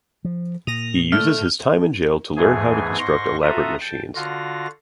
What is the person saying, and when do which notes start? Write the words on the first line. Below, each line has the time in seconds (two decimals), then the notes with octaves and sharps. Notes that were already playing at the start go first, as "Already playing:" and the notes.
He uses his time in jail to learn how to construct elaborate machines.
0.25 F3
0.67 A#2 D#6 A#6 F7
1.12 D3 A3 F6
2.37 E2 G#2 E3 A3 G#4 G#5
2.98 G#2 C6 C#6 A#6
3.42 F4 F#4 A4 E5 A#5 D#6
3.80 G5 A5
4.15 D3 F4 F#4 F5 A#6